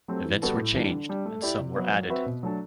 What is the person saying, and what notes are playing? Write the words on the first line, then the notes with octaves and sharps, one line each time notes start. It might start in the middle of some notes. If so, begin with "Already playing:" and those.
Events were changed and some were added.
F#3 A3 C4 G4
E3
G3 B3 F#4 A4
A2
E3 G3 D4
D3
G3 D4
A3
E4 G4 D5
C3
F#3 B3
F#3
C4 F#4 B4 E5
B2
F#3 A3 D4 A4